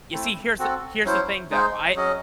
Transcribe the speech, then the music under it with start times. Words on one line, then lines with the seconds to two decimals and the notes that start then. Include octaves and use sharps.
You see, here's the here's the thing, though. I,
0.12 A3 C4 E4 A4
0.59 C4 F#4 A4
1.04 F#3 C#4 E4 C5
1.50 G#3 D#4 G#4 C5
1.96 F#3 C#4 G#4 D#5